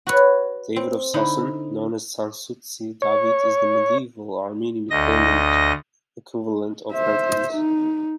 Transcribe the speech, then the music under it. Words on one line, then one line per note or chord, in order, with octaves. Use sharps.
David of Sasun, known as Sasuntsi Davit', is the medieval Armenian equivalent of Hercules.
F#4 B4 C#5
C4
D3 D#4 E4
C#5
D2 D#5 A#6
C5 E5
D#4